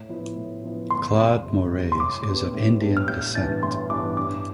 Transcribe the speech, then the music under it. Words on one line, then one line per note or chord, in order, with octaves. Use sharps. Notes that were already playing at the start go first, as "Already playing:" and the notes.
Claude Moraes is of Indian descent.
Already playing: A2
F3 B3 E4
A2
F3 B3 E4
G1 C6
F2 C3
G1
F2 C3
C6
A2 D6
G3 B3 D4
A2
G3 B3 D4
F6
A1 G6
G2 E3 B3 D4 A6
A1 C6
G2 E3 B3 D4 D6
G2 D6